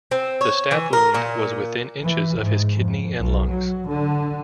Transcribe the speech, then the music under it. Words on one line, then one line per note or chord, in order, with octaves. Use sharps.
The stab wound was within inches of his kidney and lungs.
C4
C#5
E3
A#4
A#2
E3
G#2
F2
B1
F#3
D3